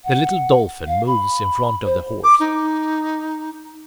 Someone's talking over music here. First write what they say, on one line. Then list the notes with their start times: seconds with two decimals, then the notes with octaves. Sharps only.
The little Dolphin moves in front of the Horse.
0.04 F#5
0.87 F5
1.07 B5
1.86 C5
2.24 D6
2.40 D#4